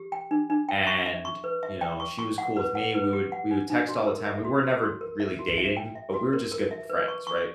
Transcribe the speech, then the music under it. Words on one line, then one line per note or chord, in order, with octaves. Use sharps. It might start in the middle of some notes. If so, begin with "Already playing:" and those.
and, you know, she was cool with me. We would we would text all the time. We were never really dating, but we were just good friends, right?
Already playing: G4
G5
D4
D4
G5
C#6
E5
C#6
B4
E5
G5
C#6
C#6
F#5
B4
F#5
B4
G4
F#5
D4
D4
F#4
A#4
E5
F#4
F#4
F#4
A#4
E5
F#4
E5
G5
E5
F#4
A#4
A#4
E5
B4
C#6
C#6